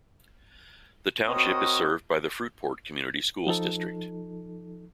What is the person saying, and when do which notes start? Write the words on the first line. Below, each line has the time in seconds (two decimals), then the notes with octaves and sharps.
The township is served by the Fruitport Community Schools district.
1.28 C4 F#4 A#4 C#5 D#5 D#6
3.47 F3 D#4 A4